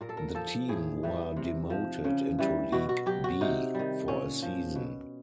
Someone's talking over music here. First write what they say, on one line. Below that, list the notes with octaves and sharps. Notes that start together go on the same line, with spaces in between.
The team were demoted into League "B" for a season.
A#2 A#4
A4
A#4
F3 A4
A2 G#4
E3 G3
C3
F3
C#3
E3 G3
B2 F#4
F#4
F#3 G4
F#4
C3 D#4
D#3 G3
A#2 C#4
F3
B2